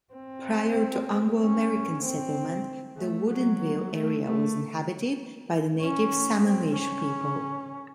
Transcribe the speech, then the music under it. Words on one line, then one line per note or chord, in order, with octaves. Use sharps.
Prior to Anglo-American settlement, the Woodinville area was inhabited by the native Sammamish people.
C4
C#4
C4
A3
F#3
A3
A3
C#4
C4
C#4